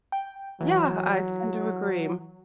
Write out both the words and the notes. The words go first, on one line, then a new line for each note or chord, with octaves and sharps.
Yeah, I tend to agree
G5
E3 F#3